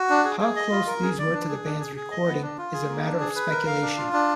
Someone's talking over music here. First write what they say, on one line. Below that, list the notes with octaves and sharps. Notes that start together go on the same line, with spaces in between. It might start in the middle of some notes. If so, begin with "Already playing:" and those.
How close these were to the Band's recording is a matter of speculation.
Already playing: F#4
D4
G#4
G#4
D#5
F4
A#4
G#4
D5
D4
G#4
D4
G#4
G#4
D#5
B3
D4
F4
G#4
A#3
D4
G#4
B4
A#4
F5
D4
F4
D4